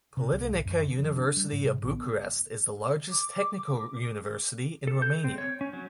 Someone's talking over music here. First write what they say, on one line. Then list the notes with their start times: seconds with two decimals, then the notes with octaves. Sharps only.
Politehnica University of Bucharest is the largest technical university in Romania.
0.17 C3
0.32 C2
0.52 A1
0.66 F#2
0.86 D3
0.98 F3
1.16 D4
1.37 G3
1.52 G#2
1.64 C3
1.82 A1
1.93 B3
3.10 D6
4.87 A4
5.02 G6
5.24 C4
5.38 C#5
5.61 C#4
5.73 F#3